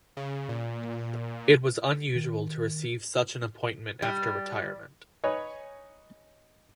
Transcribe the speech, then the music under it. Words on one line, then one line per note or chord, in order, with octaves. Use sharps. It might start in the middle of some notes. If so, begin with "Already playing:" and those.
It was unusual to receive such an appointment after retirement.
C#3
A#2
D#3
G3
D#4 B4 C#5 G#5 B5